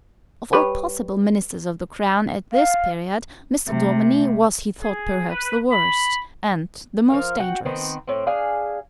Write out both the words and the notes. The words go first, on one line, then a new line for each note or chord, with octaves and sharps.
Of all possible Ministers of the Crown at this period, Mr. Daubeny was he thought perhaps the worst, and the most dangerous.
G3 B4 C#5
F5
C3 A3
G#4
B4
B5
F3 A#4 F5
F#4 F#5 G5
D#3 B3 C4
A2 C4
D4 G#4 F5 G#5